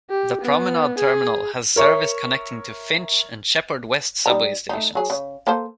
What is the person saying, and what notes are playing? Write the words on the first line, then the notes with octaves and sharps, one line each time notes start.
The Promenade Terminal has service connecting to Finch and Sheppard West subway stations.
G4
B3
G#4
A#4 C#5 E5 C#6
G3 D#4 A#5
A3 D#4
F#3 G#4
C#3
A#3 A4 C5